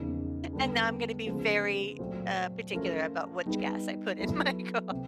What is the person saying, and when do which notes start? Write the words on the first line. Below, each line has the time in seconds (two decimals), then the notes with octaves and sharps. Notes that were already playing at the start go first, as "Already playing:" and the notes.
And now I'm gonna be very, uh, particular about which gas I put in my car.
Already playing: E2 C#3 F3 A#3 D#4
0.53 D3 G3 B3
1.26 C#3 F3 G#3 B3
1.99 A#2 F#3 A3 C4 F4
2.72 F3 A3 C#4 F4 A#4
3.46 G3 B3 D#4 G#4 B4
4.19 F#3 B3 E4 A4
4.91 C3